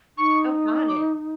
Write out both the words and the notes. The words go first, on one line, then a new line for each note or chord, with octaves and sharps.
Oh, got it.
D#4 C#6
D6